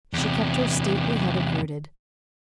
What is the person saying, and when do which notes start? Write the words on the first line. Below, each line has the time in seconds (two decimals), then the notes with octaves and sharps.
She kept her stately head averted.
0.13 E2 C3